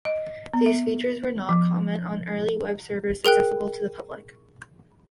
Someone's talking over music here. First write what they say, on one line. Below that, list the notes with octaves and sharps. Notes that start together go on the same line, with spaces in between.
These features were not common on early web servers accessible to the public.
D#5
B3
E5
F3
G#4 A#4 G5 F#6